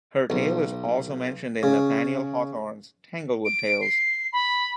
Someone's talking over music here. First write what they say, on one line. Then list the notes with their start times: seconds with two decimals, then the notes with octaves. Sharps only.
Her tale is also mentioned in Nathaniel Hawthorne's "Tanglewood Tales".
0.30 B1
1.63 C#3
3.45 D7
3.81 C7
4.33 B5